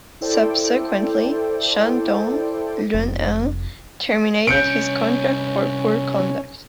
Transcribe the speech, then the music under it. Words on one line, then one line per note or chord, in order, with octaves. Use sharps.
Subsequently, Shandong Luneng terminated his contract for poor conduct.
E4 A4 C5 D5 G5
F1
C2 C#4 C#5 G6 C#7 D7